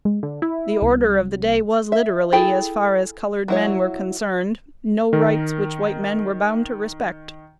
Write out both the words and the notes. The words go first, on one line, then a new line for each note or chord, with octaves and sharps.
The order of the day was literally, as far as colored men were concerned: "No rights which white men were bound to respect."
G#3
D3
E4
C2
E5
E4 G#4 A4 G5
F#3 E4 C#5
D#3 A#4